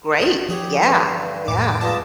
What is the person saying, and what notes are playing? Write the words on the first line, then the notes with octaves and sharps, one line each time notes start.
Great. Yeah. Yeah.
A#1 C6 D#6
F3 G4 G#4 C#5
G2 D3 E3
F2 A2 D6
G3 G#3 B3 F4 D#5 A5